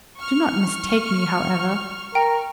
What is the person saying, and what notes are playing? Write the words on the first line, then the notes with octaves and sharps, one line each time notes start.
Do not mistake me, however.
C#6 F6
A#4 G5